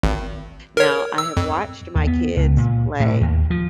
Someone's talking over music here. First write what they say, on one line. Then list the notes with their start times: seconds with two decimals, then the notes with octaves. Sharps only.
Now, I have watched my kids play,
0.03 G#1
0.77 A#4 C#5
1.18 E6
1.37 F2
1.95 D#2
2.07 B3
2.37 C#2
2.57 A#2
3.00 A2
3.21 D#2
3.50 F3